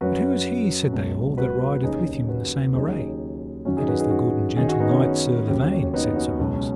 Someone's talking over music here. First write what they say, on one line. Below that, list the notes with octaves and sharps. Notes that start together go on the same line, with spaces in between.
But who is he, said they all, that rideth with him in the same array? That is the good and gentle knight Sir Lavaine, said Sir Bors.
F#2 F#3 F#4 B4
C#2 B2 F#3
F#4 B4
D#2 C#3 F#3 D#4 G#4
D#4 G#4
F#4 B4
D#2 C#3 F#3 D#4 G#4
F#2 D#3 F#3 C#4 F#4
D#4 G#4
F#4 B4
D#4 G#4
C#4 F#4
F#2 D#3 F#3 D#4 G#4
C#4 F#4
B3 D#4
C#4
D#2 C#3 F#3
B3 D#4
C#4 F#4
C#2 B2 F#3
C#4